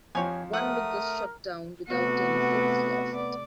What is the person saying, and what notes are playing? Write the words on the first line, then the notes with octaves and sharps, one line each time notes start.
One MiG was shot down, without any Sabres lost.
F2 F3 G4 C#5 G#5
C3 A3 A#4 F#5 D#6
C3 A3 B3 F#4
D5